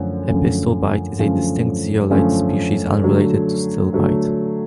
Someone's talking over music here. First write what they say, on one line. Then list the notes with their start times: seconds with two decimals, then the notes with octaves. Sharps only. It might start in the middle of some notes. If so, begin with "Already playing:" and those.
Epistilbite is a distinct zeolite species unrelated to stilbite.
Already playing: F#2 D3 F3 A3 C#4
0.28 F#2 D3 F3 A3 C#4
1.19 F#2 D3 F3 A3 C#4
2.10 F#2 D3 F3 A3 C#4
3.02 D3 F#3 A3
3.93 D3 F#3 A3